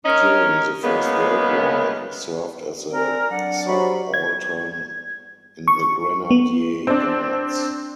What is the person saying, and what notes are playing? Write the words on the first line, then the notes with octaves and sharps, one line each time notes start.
During the First World War he served as a subaltern in the Grenadier Guards.
C#4 D#4 A#4 C#5 D#5
C#3 F#3 G#3 A#3 B3
C4 A#4 D5 G#5
F#3 D4 D5 F#5 A5
F#3 G4 C5 A#5 B5 C#6
G#6
C#6
B3
C4 D4